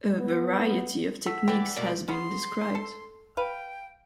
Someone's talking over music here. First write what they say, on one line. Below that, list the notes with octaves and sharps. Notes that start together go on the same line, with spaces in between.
A variety of techniques has been described.
B3
A3 F#5 E6 B6
E3 B4 D5 G5
B2 A#3 D5
C#3 B3 C6
A4
B4 F5 G5